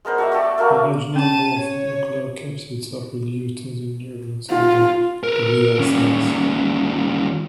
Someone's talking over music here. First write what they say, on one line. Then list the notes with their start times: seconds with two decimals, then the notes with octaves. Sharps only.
A large number of nucleocapsids are produced in the neurons and the glial cells.
0.05 G#3 B3 A#4 C5
0.18 F#4 A4 D5 E5
0.32 A3 G4 A4 D5
0.58 A3 A#3 F#4 A#4
1.16 C#4 A5 D#7
1.59 C#5
4.51 F4
5.23 A#4 B4
5.79 D#2 C#4